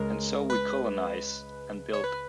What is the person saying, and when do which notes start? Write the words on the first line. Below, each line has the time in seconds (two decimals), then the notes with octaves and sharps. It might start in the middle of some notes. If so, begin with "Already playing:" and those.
And so we colonize, and build.
Already playing: C#2 C#3 G#3 A#4
0.50 B4
1.93 C#5
2.04 B4